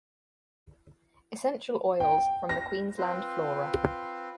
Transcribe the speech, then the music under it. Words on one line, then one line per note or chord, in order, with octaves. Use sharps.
Essential oils from the Queensland flora.
G5
A#6
C4 F4 B4 C5